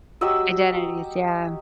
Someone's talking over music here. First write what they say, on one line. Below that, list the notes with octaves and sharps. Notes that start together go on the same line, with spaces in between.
Identities, yeah.
F#3 G4 D#5 E6